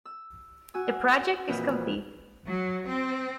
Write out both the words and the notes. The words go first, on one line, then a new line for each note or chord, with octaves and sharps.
The project is complete.
E6
F#4 G#5 E6
F2 A#2 E3 B4 C5 E5
F#3
C4